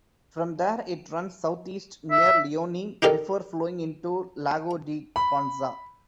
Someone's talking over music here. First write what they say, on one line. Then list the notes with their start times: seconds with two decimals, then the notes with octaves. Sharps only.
From there it runs southeast near Lioni before flowing into Lago di Conza.
2.11 E5
3.02 D4 D#4 G4 A4 A#4
5.16 B5